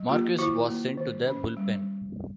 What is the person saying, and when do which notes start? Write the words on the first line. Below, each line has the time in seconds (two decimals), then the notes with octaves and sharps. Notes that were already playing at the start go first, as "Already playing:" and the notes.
Marquis was sent to the bullpen.
Already playing: F#3
0.09 A#3 F4 G4
0.38 D#3 E4 F#4
0.68 A#3
0.98 D#3
1.27 C#4
1.57 G3